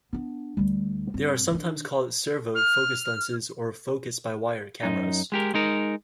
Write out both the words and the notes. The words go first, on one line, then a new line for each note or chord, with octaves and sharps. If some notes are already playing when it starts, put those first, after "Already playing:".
They are sometimes called "servo" focus lenses or "focus by wire" cameras.
B3 D4
D2 G3
G2 C4
D#3 D4
F6
F#2 D#4
G#3 G4 A#4
G#3 D#4 A#4